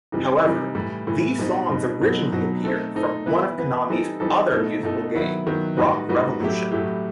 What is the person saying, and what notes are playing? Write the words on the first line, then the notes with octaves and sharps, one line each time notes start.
However, these songs originally appeared from one of Konami's other musical game Rock Revolution.
C3 E3 G3 D#4
C3 E3 G3 D#4
A2 E3 G3
A2 E3 G3
B2 G3 C4 D#4
B2 G3 C4 D#4
B2 F#3 C4 D#4
B2 F#3 C4 D#4
A3 C4 D#4 A4
A3 C4 D#4 A4
E3 B3 E4 B4
E3 B3 E4 B4
E3 G3 C4 D#4 A4
E3 G3 C4 D#4 A4
B2 A3 D#4 A4
B2 A3 D#4 A4
D#3 F#3 B3 E4
D#3 F#3 B3 E4
A2 G3 D#4 F#4 B4
A2 G3 D#4 F#4 B4
A2 F#3 A3 E4 G4
A2 F#3 A3 E4 G4